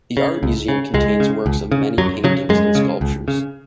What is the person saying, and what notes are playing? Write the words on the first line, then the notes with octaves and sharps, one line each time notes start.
The Art museum contains works of many paintings and sculptures.
C#3
C#2
C#3
C#2 G#3
C#3
C#2
C#3
F#2 F#3
C#3 F#3
F#2 G#3
C#3
C#2
C#3